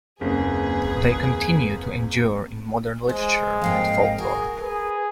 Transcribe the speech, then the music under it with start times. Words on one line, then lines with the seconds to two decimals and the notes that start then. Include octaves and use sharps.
They continue to endure in modern literature and folklore.
0.21 F#1 D#2 A#3 C4 G#4 B4
3.09 G#3 C5
3.62 F2 G#2 A#3 D#5 F5 G5
4.18 F#4 G#4 A#4
4.61 G#4 B4